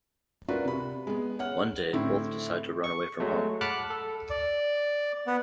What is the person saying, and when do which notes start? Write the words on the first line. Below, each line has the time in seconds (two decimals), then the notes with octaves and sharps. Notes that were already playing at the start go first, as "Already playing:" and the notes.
One day both decide to run away from home.
0.48 D4 F4 F#4 A#4 B4
0.65 C3 B5
1.07 G#3 B3
1.39 C#5 F#5 F6
1.93 A2 D3 C4 E4
2.84 C#6
3.20 F#3 G#3 A3
3.61 F#5 A5 B5 D6 F6 F#6
3.90 A4
4.30 D5
5.27 B3